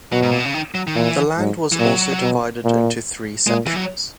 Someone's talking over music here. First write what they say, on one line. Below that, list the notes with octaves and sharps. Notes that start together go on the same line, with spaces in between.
The land was also divided into three sections.
B2 F#3
G#2
A#2
B2
C#3
D#3
F#3
D#3
A#2 E3
G#2
E3
A#2 F#3
B2
A#2
A#2 G#3
E3
F#3